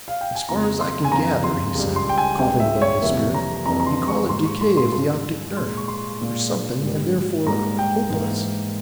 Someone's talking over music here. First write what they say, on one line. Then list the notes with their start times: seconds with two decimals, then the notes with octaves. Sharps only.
'As far as I can gather,' he said, coughing above the spirit, 'you call it decay of the optic nerve, or something, and therefore hopeless.
0.08 F5
0.21 G5
0.35 G#5
0.49 F2 C#3 F3 A#3 A#5
0.81 C6
1.05 G#5
1.12 F2 C#3 F3 A#3 A#5
1.44 C6
1.75 C#2 C#3 G3
1.96 C6
2.09 G5
2.18 G#5
2.39 C#2 C#3 G3 G5
2.60 E5
2.82 C#5
3.02 F2 C3 E3 G3 A#3 E5
3.34 A#5
3.66 F2 C3 E3 G3 A#3 A#5
3.80 A#5
3.87 C6
4.08 C#6
4.29 G#2 G3 A#3 C6
4.45 C#6
4.61 C6
4.77 C6
4.93 G#2 G3 A#3 C6
5.56 A#2 G#3 C6
5.77 C#6
5.88 C6
6.20 A#2 G#3
6.83 G#2 G3 A#3
7.47 G#2 G3 A#3 A#5
7.79 G5
8.10 G#2 E3 A#3